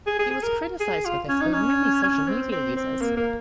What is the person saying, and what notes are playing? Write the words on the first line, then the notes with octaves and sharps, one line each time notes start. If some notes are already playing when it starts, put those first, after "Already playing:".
He was criticised for this by many social media users.
G#4
G#4
G#4
A#4
G#4
F4
C#4
D#4
C#4
C#4
C4
C4
C4
A#3
A#3